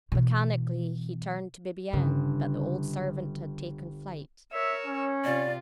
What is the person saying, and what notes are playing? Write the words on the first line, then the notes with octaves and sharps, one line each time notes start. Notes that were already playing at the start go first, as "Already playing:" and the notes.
Mechanically, he turned to Bibiaine, but the old servant had taken flight.
B2 E3
G1 C#3
A#4 C#5 E5 E6
C#4
C3 F4 D5